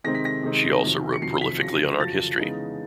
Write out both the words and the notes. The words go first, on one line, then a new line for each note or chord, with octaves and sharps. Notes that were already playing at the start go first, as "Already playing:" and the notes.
She also wrote prolifically on art history.
C3 D#3 G#3 C4 D#4 A#6
B6
A#6
C3 D#3 G#3 C4 D#4
F2 C3 D#3 F#3
C#7
F2 C3 D#3 F#3 C7
B6
F2 C#3 F#3 A#6
F2 C#3 F#3 A6
C#3 E3 G#3 B3 D#4